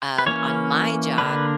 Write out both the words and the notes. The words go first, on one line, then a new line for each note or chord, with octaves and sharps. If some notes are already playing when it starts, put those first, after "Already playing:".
Um, on my job
B4
E3 A#3 C#4 C#5
D3 A#3 D4 B4